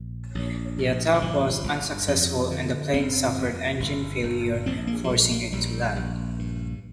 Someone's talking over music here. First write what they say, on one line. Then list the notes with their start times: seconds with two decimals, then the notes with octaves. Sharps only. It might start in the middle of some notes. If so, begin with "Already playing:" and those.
The attack was unsuccessful and the plane suffered engine failure forcing it to land.
Already playing: A#1
0.35 A#1
0.78 A#1
1.14 D3
1.21 G1 F3
1.63 G1
2.08 F2
2.51 D3
2.93 G1 C4
3.37 F2
3.80 G1
4.23 G1
4.66 A#1 C4
4.87 A#3
5.04 F3
5.09 A#1 G3
5.32 A#3
5.53 A#1 G3
5.96 A#1
6.39 G2